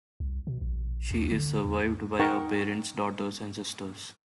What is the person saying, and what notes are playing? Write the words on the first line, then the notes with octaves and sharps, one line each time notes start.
She is survived by her parents, daughter, and sister.
C2
B2
A#1
D#2
D3
E2
D#4 A#4 F#5 G5 C#6